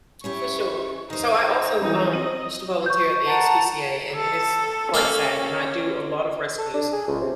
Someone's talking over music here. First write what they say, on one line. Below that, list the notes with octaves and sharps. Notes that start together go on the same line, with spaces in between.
For sure. So, I also, um, used to volunteer at the ASPCA, and it is quite sad, and I do a lot of rescues.
C#4 E4 G4 C#6
D#3 D#4 C5
E3 G3 D#4
C4 D#5 D#7 F#7
C#6 G6
F#5 A5 A#5
A4
A#3 C#4 A4 F5
A4
D4
G#4
C#2
C3